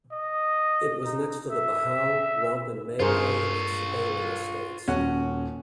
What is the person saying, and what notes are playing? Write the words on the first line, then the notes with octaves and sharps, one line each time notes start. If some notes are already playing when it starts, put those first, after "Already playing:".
It was next to the Bahau, Rompin Malay and Sebaling estates.
D#5
D#4
E5
G2 F4 G#4 A#4 C5 C#5
D#1 C#4 F#4 F#5